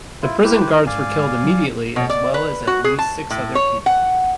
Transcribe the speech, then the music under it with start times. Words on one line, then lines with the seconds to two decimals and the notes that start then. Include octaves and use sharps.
The prison guards were killed immediately as well as at least six other people.
0.22 E4 F4
0.44 E4 G4 B4 C5
0.87 G#2 D5 F5 G#5
1.44 F#3
1.96 B2
2.10 D5
2.34 B4
2.67 F#4
2.84 G#4
2.99 A5
3.30 A2
3.55 C#5
3.86 F#5